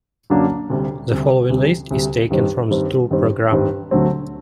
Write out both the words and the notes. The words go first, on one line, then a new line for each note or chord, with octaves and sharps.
The following list is taken from the tour programme.
F#2 D3 F#3 A#3 D4
D2 C3 G3
D2 C3 G3
D2 C3 G3
D2 C3 G3
G2 D#3 G3 C4
G2 D#3 G3 C4
G2 D#3 G3 C4
G2 D#3 G3 C4
D2 D3 F#3 A3 C4